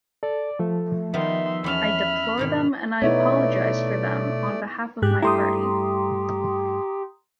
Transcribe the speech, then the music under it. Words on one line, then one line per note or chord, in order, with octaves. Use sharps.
I deplore them and I apologise for them on behalf of my party.
A4 D5
F3 A3
D#3 G3 B3 D#4 E5 C6
E2 C#4 A5 B5 F6
G#2 B2 D#3
B2 A3 B3 D#4 E4 C#5 D5 E5
G#2 G4 G#4 F#6
G2 A3 E4 G4 A#5 C6 D#6